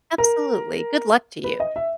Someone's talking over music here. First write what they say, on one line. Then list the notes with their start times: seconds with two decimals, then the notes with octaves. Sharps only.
Absolutely, good luck to you.
0.18 A#4
1.44 B4
1.60 D#5
1.76 E5